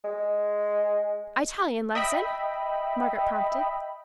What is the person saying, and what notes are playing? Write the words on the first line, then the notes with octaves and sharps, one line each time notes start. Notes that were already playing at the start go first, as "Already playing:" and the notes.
"Italian lesson," Margaret prompted.
G#3
D#5 E5 G5 B5